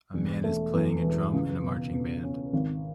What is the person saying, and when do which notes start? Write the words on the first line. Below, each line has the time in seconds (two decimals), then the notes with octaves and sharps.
A man is playing a drum in a marching band.
0.14 E1
0.44 A3
0.74 E2
1.04 E1
1.33 C#2
1.64 B2
1.93 B2
2.23 C#4
2.53 G#1